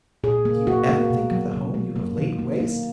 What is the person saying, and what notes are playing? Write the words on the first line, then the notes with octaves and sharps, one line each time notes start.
Do you ever think of the home you have laid waste?'
A#2 G#4
A#3
A#3 F#4
A#3
B2
F#3
B2
F#3
A#3
D#3
A#3
A#3